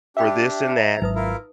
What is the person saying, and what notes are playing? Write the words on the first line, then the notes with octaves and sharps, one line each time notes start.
for this and that,
D4 G4 E5 F5 G5 B5
A#5
G#1 F#3 D#4 B4 D#6
E4 F4 A#4